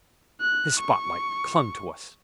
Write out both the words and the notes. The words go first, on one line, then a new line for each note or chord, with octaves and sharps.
His spotlight clung to us.
F#6
C#6